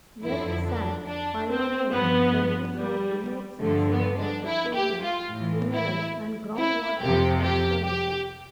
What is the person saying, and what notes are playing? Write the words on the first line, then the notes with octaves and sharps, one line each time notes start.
EarthSat pioneered the use of remote sensing for petroleum, mineral and groundwater exploration.
F2 D3 F3 E4
D4
D4
C4
G2 F3 B3
G3
G2 D3 F3 A3
B3
D4
E4
G4
F4
A2 E3
E4
E4
F2 C3 F3 G4
G4
G4